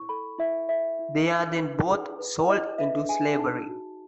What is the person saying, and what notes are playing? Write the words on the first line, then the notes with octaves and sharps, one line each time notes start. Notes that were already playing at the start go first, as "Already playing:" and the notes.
They are then both sold into slavery.
Already playing: E4 C#6
A4 B5
E4 E5
A4 E5
E4
E4
B4
G#4
B4
E4 D#5
B4 E5
G#4 G#5
D#4 A5
F#4